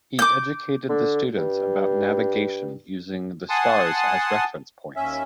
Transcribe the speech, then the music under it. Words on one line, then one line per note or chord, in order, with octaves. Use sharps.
He educated the students about navigation using the stars as reference points.
D6 G6
D3
G2
F#5 G#5 A5 C6 D#6
D#2 C#4 E5